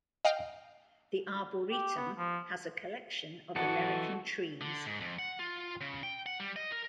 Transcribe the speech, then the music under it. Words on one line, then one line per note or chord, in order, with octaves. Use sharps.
The arboretum has a collection of American trees.
D#5 F5 G5 F6
G4
B3
F3
E3 F#4 A4 D#5 F#5
D3
G#2
F2
F#5
F4
C#3
G5
F#5
G3
D#5
A#4